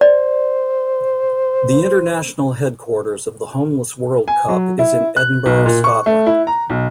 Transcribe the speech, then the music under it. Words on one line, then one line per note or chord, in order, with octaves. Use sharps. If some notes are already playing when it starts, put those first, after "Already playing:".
The international headquarters of the Homeless World Cup is in Edinburgh, Scotland.
C5 D5
G#5
F#3
E4
F#6
B1
A#2
C#6
A3
E4
A#5
B1